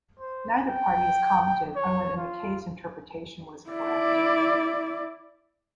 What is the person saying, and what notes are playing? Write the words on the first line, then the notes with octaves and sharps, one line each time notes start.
Neither party has commented on whether McCay's interpretation was correct.
C5
G5
C#5
F4
E4 D5